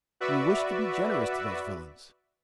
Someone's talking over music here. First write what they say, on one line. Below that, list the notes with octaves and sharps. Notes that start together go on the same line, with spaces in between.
You wish to be generous to those villains!
F#4 B4 D5 E5